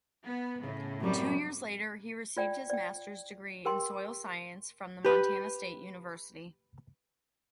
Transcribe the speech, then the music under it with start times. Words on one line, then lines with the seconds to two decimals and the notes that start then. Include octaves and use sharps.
Two years later he received his master's degree in soil science from the Montana State University.
0.25 B3
0.63 A2 C#3
1.02 F#2 C3 F#3 G3
2.37 F4 D5 G5
2.70 D5 G5
3.65 G4 A#4 G5 C6
5.05 G4 B4